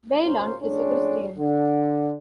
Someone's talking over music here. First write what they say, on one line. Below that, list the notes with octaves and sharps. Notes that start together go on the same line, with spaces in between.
Bailon is a Christian.
G#1 F#2 A#2 A#3 C#4 C5
F2 A2 G#3 C#4 D4
D3